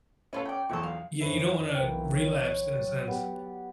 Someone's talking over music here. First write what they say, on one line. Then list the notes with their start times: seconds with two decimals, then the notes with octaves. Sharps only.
Yeah, you don't wanna relapse, in a sense.
0.33 C#4 F4 A4 B4
0.45 D5 G5
0.69 B1 E2 F3 A4 C#6
0.83 F5
1.21 F2 F3 C#4 E4 B4 C#6
1.75 B1 E3 A#3 G5
2.14 C#5
2.74 F#3 D5
3.08 B3 G4